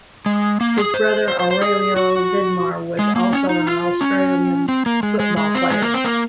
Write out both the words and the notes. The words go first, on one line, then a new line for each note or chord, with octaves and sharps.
His brother Aurelio Vidmar was also an Australian football player.
G#3
A#3
G#4
C5
C5
C5
C5
G#4
F#4
G#3
A#3
C#4
D#4
F4
C#4
C4
A#3
G#3
G#3
G#3
C4
G#3
A#3
C4
A#3